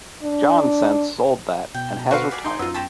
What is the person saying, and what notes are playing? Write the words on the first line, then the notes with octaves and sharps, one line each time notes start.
John since sold that and has retired.
D4
B2 G5
F#4 B4 C5 F5 C#6 D7
G#4 D5 G#5 B6
D#4 C6 G6
F#2 B3 F4 D#5 E6
C4 C#4 G4 A5